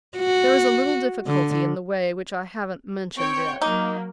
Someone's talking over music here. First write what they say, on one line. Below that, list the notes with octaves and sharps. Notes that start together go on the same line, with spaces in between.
There is a little difficulty in the way which I haven't mentioned yet.
F#4
D3
C4 C#5 G5 C#6
F#3 A#3 D#4 D6